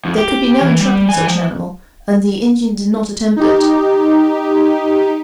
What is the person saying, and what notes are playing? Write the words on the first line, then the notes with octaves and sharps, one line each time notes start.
There could be no entrapping such an animal, and the Indian did not attempt it.
F2
G4
E3
G3
E3 G#5
F3
D#4 G4